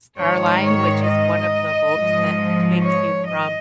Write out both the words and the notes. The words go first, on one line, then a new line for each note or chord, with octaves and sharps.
Star Line, which is one of the boats that takes you from
G#2 D#3 C#5
C#5
D#5
G#2
F3
C#5
D#5